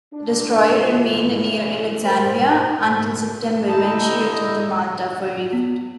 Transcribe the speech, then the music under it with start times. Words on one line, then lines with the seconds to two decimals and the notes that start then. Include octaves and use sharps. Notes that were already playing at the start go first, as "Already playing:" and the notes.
The destroyer remained near Alexandria until September, when she returned to Malta for refit.
0.12 D4
0.65 B2 D3 E3 F3 G#3
1.30 C#3 E3 E4
2.04 A#4 C5
3.68 D3 D#4 E4 A5
4.00 D#5
5.53 B3